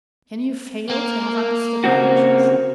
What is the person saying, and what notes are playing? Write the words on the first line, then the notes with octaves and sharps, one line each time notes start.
Can you fail to have understood my wishes?
A#3
C#3 C4 F#4